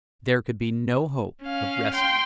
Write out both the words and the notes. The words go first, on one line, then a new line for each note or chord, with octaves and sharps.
There could be no hope of rescue.
C#4 F5
G5 C6